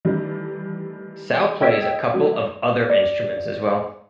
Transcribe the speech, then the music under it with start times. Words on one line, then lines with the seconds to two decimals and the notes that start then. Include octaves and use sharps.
Sal plays a couple of other instruments as well.
0.05 D#3 E3 G3 A3
1.60 D#5 G5 E6 G#6 B6 D7
2.14 F#3 A3
2.90 D5